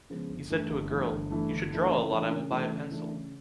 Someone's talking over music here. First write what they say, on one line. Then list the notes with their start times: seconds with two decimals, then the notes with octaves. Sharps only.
He said to a girl, “You should draw a lot I will buy a pencil”.
0.10 C#3 F3 G#3 B3
0.30 G1
0.50 G2 E3 A3
0.70 G1
0.90 G2 E3 A3
1.11 G1
1.30 G2 E3 A3
1.50 G1
1.71 G2 E3 A3
1.91 C#3
2.11 E3 A3 D4
2.30 C#3
2.51 E3 A3 D4
2.71 C#3
2.91 E3 A3 D4
3.11 C#3